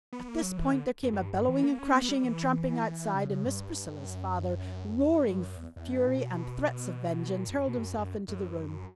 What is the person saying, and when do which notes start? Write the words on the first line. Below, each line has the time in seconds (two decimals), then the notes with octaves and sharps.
At this point there came a bellowing and crashing and tramping outside and Miss Priscilla's father, roaring fury and threats of vengeance, hurled himself into the room.
0.13 B3
0.28 A#3
0.43 F#3
0.58 E3
0.73 D3
1.03 F#2
1.13 F#2
1.23 G2
1.33 G2
1.49 E3
1.64 A#3
1.79 C#4
1.94 B3
2.09 G3
2.24 E3
3.15 C#3
3.30 C#3
3.45 G2
4.06 F#2
4.96 E2
5.11 F#2
5.27 G2
5.41 F#2
5.57 E2
5.76 E2
5.87 F#2
5.96 G2
6.07 A#2
6.17 B2
7.38 A#2
7.47 F#2
7.58 F#2
7.68 B2
7.77 G2
7.83 F#2
7.98 F#2
8.28 F#2